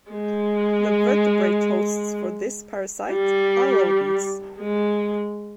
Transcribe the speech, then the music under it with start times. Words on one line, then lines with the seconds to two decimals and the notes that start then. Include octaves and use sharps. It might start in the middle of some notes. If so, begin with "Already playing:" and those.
The vertebrate hosts for this parasite are rodents.
0.11 G#3
3.10 G3
4.59 G#3